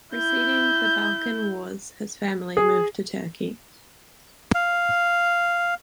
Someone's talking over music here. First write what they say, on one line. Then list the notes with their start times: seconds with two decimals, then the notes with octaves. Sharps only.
Preceding the Balkan Wars, his family moved to Turkey.
0.14 E4 G6
2.57 G#4
4.55 F5